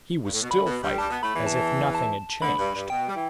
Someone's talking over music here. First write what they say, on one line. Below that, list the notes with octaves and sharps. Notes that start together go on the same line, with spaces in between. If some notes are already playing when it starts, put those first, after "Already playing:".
He was still fighting, as if nothing had changed.
G2
A2
B2
D2 D3 B5
B2
G2 G3 G5
G2 G3 A5
B2 B3
A2 A3 B5
E2 E3
A5
A5
D2 D3 B5
G2
G2
B2 G5
G3
E3